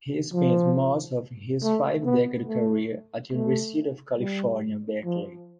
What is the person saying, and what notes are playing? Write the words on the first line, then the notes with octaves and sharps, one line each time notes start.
He spent most of his five-decade career at the University of California, Berkeley.
F3
A3
B3
A3
A3
G3
F3